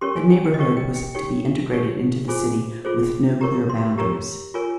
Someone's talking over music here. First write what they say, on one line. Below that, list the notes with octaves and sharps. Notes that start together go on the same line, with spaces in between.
The neighbourhood was to be integrated into the city with no clear boundaries.
C#4 G4 A#4 C#5 C6
G#5
G5
G5
D#5
C#4 G4 A#4 C#5 F5
G5
G5
D#4 G4 C#5 G5
D#4 G4 C#5
F4 G#4 C5 G#5
F4 G#4 C5
G4 A#4 C#5 A#5
C6
G4 A#4 C#5 A#5
F4 A#4 C#5 G#5